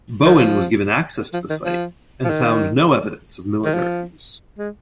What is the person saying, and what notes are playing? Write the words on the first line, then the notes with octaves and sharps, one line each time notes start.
Bowen was given access to the site and found no evidence of military use.
D#3
F3
F3
D#3
F3
F3
D#3
D#3
F3
G#3